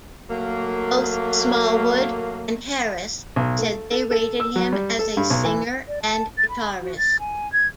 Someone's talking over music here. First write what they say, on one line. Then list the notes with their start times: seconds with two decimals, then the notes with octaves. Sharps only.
Both Smallwood and Harris said they rated him as a singer and guitarist.
0.31 F#3 A3 A#3
3.36 B1
3.59 A3
3.91 A4
4.11 A4
4.40 E6
4.56 F#3
4.73 G3
4.99 A4
5.17 G2
5.30 B1
5.45 E3
5.87 D5
6.02 A5
6.38 A6
6.49 B5
6.81 F#4
6.98 A6
7.20 G#5
7.53 G#6